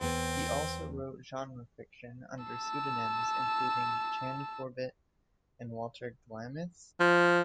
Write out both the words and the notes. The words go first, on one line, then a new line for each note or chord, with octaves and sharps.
He also wrote genre fiction under pseudonyms, including Chan Corbett and Walter Glamis.
E2 B3 C4
A5 E6
F3